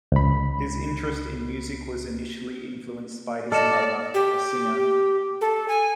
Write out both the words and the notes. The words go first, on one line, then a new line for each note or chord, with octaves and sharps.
His interest in music was initially influenced by his mother, a singer.
C#2 B5
A4 D5 D#5 F6 C#7 E7
G4
A4
G#5